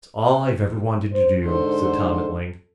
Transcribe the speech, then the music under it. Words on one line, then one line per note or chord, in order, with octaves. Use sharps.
"It's all I've ever wanted to do," said Tom at length.
C5
G#2 D3 A4 C5